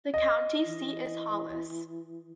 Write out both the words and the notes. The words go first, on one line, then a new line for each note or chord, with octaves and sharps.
The county seat is Hollis.
D#5
E3